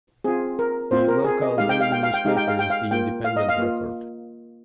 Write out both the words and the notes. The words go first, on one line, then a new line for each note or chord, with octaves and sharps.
The local daily newspaper is the "Independent Record".
C4 F4 G#4
A#4
C4 F4 C5
A#4
G#4
D#5
G#3 D#4 G4 F5
G5
F5
G5
F5
G5
G#3 D#4 G4 F5
G5
F5
G5
F5
A#3 F4 G5
F5
D#5
F5
A#3 F4